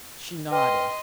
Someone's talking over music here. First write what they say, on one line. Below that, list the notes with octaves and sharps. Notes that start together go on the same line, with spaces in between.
She nodded.
B4 D#5 G5 C6 F6